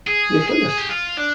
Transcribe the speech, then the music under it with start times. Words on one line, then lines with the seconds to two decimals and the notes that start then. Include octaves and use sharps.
your fitness.
0.07 G#4
0.48 G#4
0.78 G4
0.89 F4
1.17 D4